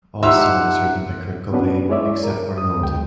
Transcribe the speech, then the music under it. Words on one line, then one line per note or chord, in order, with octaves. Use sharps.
All songs written by Kurt Cobain, except where noted.
F3 D#4 G4 E5 F#5 C6 E6
B3 C#4 D4 F#4 B4
G#3 E4 C#5 D5 E5 D6
A#4
D#6
D2 G#3 G5